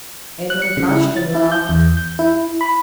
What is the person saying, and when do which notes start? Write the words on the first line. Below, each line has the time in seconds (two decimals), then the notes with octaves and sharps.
Edwin blushed and laughed.
0.50 F#6
0.62 C#7
0.77 C#3
0.91 E4
1.16 A6
1.35 E4
1.52 G6
1.69 E2
1.97 G6
2.19 E4
2.61 B5